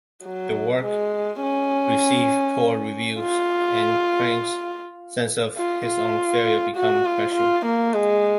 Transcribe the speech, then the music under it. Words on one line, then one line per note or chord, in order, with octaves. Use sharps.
The work received poor reviews, and Crane's sense of his own failure became crushing.
F#3
G#3
C#4
F4
F4
F4
F#4
F4
F4
A#3
G#3